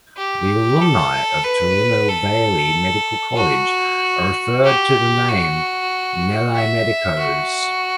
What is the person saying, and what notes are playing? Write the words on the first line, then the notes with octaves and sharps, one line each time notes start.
The alumni of Tirunelveli Medical College are referred to by the name "Nellaimedicos".
G4
A4
B4
A4
F#4
G4
F#4
E5
F#4